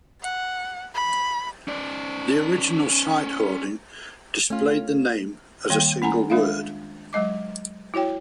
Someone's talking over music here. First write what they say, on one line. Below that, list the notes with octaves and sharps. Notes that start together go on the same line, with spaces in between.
The original site hoarding displayed the name as a single word.
F#5
B5
C#4 D5
A3 C#4 F4
D#3 G3 A#3 G5
C#4 F#5 G#5 A#5
G#3 D4 F4 E5 F5
F#3 G#3 D#5 D6
E4 F#4 C#5 G5